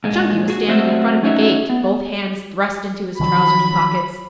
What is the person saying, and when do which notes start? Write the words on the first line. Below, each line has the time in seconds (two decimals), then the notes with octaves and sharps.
Chunky was standing in front of the gate, both hands thrust into his trousers pockets.
0.04 A#2 G#3
0.48 F#4 G#4
0.68 F#3 A3 C4 F#4 C5 E5
1.23 A3 C#4 D#4 F#4 C#5 E5
1.69 B3
3.20 D#3 F3 F#3 B5